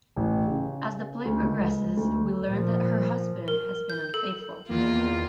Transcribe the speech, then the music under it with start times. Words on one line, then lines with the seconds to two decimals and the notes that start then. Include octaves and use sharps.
As the play progresses, we learn that her husband has been unfaithful.
0.16 A1
0.47 C#3
1.25 D2
1.40 C#2
1.97 D2
2.46 A#2 F3
3.48 A#4
3.90 G6
4.14 A4
4.69 E2 D#3 A#3 F4